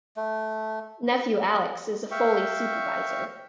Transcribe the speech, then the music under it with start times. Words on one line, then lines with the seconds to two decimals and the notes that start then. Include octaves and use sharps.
Nephew Alex is a foley supervisor.
0.16 A3
2.11 E5 F5 G5 C#6